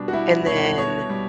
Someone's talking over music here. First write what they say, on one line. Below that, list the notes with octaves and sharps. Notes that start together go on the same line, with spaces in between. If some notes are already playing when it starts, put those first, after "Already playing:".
And then
Already playing: B2 G3 D4
F#4
G3 E4
B2 C#5
B2 C#5
G3